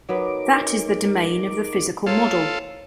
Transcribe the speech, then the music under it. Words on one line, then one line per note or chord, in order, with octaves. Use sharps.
That is the domain of the physical model.
F#3 B3 D#4 A#4 B4 D6
F4 A4 A#4 C5 C#5